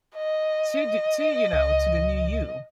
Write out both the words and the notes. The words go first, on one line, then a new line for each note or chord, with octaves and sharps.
To do to, you know, to the new you
D#5
C#2